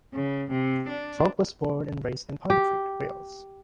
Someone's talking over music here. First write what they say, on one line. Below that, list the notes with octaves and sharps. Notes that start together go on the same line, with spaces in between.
Volk was born and raised in Pontypridd, Wales.
C#3
C3
D4
G4